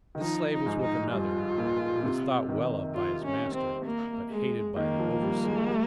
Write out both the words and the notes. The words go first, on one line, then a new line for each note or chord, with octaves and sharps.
This slave was with another, who was thought well of by his master, but hated by the overseer.
D#3
F3 D#4
D#4
G#2
D#4
G2 F4
A#2
C3
D#3
F4
C#4
C4
A#3
G#3
D#3 A#3
F3
G3
G#3
G3